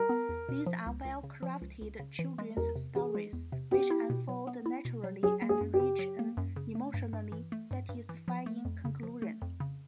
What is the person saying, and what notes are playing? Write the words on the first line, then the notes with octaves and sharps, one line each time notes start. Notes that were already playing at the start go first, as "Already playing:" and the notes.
These are well-crafted children's stories, which unfold naturally and reach an emotionally satisfying conclusion.
Already playing: G3 A#4
B3
E2
B2
F3
C#2
C#2
C#3
F3
C#2
C#2
C#3
E3
G#3
E2 A#4
C3
E3 G#4
G#3
E2
C3
B3 G4
E4
B2
F#3
B3
E4
B2
F#3
F#3 G#4
A#3
G#4
F#2
G4
C#3
F#3
A#3
F#2
C#3
A3
G2
G2
E3
A3
G2
G2
E3
F3
A3
F2
C#3
F3
A3
F2
C#3